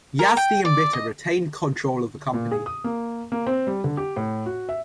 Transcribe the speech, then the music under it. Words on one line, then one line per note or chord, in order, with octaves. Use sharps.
Yazdi and Ritter retained control of the company.
A#4
G5
D5
D#5
A#2
G#4
D#6
A#3
A#3
C4
G3
D3
G4
A2
F#4
E5